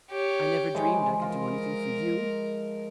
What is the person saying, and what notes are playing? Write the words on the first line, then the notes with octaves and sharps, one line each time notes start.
I never dreamed I could do anything for YOU!
G4 C#5
E3 F3 G#3
F4 A#4